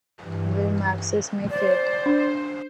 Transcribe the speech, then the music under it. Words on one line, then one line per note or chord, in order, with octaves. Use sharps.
Will maxis make it?
G2 E3
C5 D5
D4